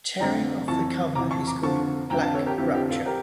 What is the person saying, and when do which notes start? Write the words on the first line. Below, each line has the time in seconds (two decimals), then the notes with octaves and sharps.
Tearing of the cover is called "plaque rupture".
0.20 F2 D3 F3 G5 A#5
0.68 F2 E3 A5 C#6
1.15 F2 E3 A#5 D6
1.31 A5 C#6
1.47 A#5 D6
1.62 F2 D3 F3 A5 C#6
2.10 F2 D3 F3 G5 A#5
2.22 F5 A5
2.34 A4 C#5
2.46 G4 A#4
2.58 F2 D3 F3 E4 G4
2.74 E4 G4
2.90 F4 A4
3.06 G4 A#4